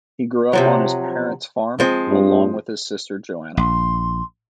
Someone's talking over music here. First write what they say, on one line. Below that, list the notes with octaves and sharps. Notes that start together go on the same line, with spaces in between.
He grew up on his parents' farm along with his sister Joanna.
C3 F3 F#3
F3 G#3 C4
G2
A#1 C6